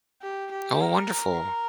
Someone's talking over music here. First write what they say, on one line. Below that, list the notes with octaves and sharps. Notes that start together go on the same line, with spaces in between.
Oh, wonderful.
G4
G4
A#4